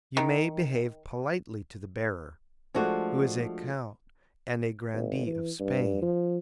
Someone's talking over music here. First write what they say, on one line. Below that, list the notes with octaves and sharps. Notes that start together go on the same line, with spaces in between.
You may behave politely to the bearer, who is a count and a grandee of Spain!
D#3
F3 G#3 A3 D4 F#4
G#1
E3
G2
F3